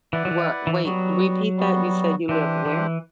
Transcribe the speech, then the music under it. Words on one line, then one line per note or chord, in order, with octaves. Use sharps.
What wait, repeat that, you said you live where?
E3 E4 B4 D5 F#5
F#3
E3
E3
F#3 G3 B3 F#4
G3 B3 F#4
E3 D4 G4 C5
E3